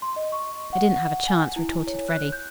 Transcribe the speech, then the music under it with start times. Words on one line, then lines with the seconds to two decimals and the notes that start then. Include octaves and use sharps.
"I didn't have a chance," retorted Freddy.
0.02 C6
0.16 D#5
0.32 C#6
0.73 F#5
1.28 G#5
1.56 E4
1.87 C#5
2.08 F#6
2.32 G6